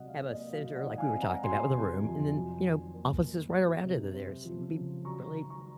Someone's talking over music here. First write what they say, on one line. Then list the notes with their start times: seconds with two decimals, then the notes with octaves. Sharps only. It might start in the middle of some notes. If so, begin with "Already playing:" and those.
have a center- like we were talking about- with a room and then, you know, offices right around it. Th there's it'd be really
Already playing: C3 F#3 D#5 F#5
0.08 F5
0.23 A#3
0.30 D#5
0.52 F#3 F5
0.75 D#5 F#5
0.83 D#3
0.98 F5 G#5
1.13 C4
1.21 F#5 A#5
1.44 F#3 G#5 C6
1.73 C3
2.04 F2
2.34 F#3
2.64 D#3
2.94 A#3
3.25 A#3
3.55 F#3
3.84 C3
4.14 C4
4.45 F3
4.75 C#3
5.05 F#3 A#5 C#6
5.35 D#3
5.50 A#5 C#6